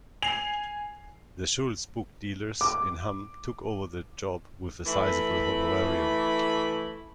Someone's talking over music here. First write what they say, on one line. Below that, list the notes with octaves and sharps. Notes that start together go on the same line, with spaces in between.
The Schulz bookdealers in Hamm took over the job with a sizeable honorarium.
G#5 C7 F7
D6
E3 A3 E4 B5